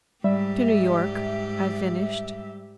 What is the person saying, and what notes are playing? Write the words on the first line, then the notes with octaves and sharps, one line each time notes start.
"To New York," I finished.
G#2 G3 G4 E5